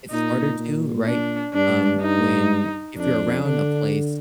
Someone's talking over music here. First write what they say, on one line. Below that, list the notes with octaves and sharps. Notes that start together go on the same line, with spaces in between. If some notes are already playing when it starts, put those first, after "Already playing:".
it's harder to, right? Um, when if you're around a place,
A#2 D#4
A#2
D4
G2 D4
D#4
F2 D4
D3 D4